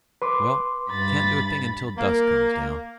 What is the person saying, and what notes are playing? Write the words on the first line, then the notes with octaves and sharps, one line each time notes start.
Well, can't do a thing until dusk comes down.
B4 C6 D6
G2 B5 A6
A#3